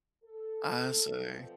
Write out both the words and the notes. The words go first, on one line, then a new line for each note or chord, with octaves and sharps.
I see.
A4
B2 F3 F#3 A3 C4 B4